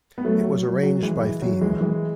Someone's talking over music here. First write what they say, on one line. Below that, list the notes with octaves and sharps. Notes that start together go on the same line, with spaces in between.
It was arranged by theme.
B3
F#3 A3
F#3
F#3
F#3
E3 G#3
E3
F#3
E3 G#3
E3 G#3